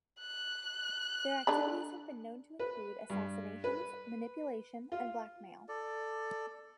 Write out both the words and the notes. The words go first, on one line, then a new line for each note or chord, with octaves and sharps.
Their activities have been known to include assassinations, manipulation and blackmail.
F#6
D3 D4 B5
B4
G2
B4
F4
A4 D5